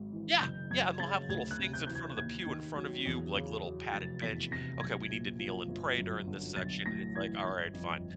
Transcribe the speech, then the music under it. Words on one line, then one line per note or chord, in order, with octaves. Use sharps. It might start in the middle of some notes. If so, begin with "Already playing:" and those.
Yeah, yeah, and they'll have little things in front of the pew in front of you, like little padded bench, okay, we need to kneel and pray during this section, and it's like, "Alright, fine."
Already playing: G#1 G#2 F#3
E3
F#1 G6
F#2 G#6
C#3 A6
D2 G#6
F#6
C3
G6
E3 G6
G#6
D#2 G#6
D#3
F#3
E2
C#3
F#3
F1 A6
E2 B6
C3 A#6
B1 G#6
A#2
F3
G1
F#2
D3
B1 A6
A2 A#6
E3 G#6
G1
F2